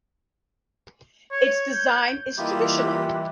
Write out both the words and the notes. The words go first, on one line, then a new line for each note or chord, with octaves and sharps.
Its design is traditional.
C#5
G6
E3 G3 A#3 E4 F4 G4 D#5